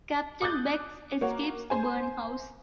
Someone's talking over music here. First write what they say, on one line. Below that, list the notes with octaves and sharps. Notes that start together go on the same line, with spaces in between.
Captain Beggs escapes the burning house.
D6 D#6 F#6 G6 A6
A#3 F#4 C#5
C5 G#5